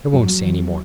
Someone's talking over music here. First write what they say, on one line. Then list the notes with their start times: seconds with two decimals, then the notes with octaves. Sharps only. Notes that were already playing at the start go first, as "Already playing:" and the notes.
I won't say any more.
0.13 F#2 F#3
0.43 E3